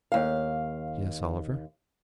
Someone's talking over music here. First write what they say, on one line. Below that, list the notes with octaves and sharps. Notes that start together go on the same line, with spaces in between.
"Yes, Oliver?"
D#2 F5